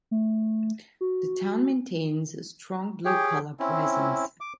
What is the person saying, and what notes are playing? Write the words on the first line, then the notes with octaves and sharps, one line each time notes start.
The town maintains a strong blue-collar presence.
A3
F#4
G4 G#4 C#5 G5
C4 C#4 E4
D6